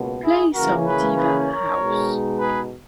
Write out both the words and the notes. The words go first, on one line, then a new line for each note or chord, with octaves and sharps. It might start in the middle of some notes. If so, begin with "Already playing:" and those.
Play some diva house.
Already playing: C#2 B2 A#3
E4 G#4
C#3 E3 A#3 C#4 F#4 A#4
G#4 B4
G#4 B4
A#4 C#5
B2 G#3 D#4
G#4 B4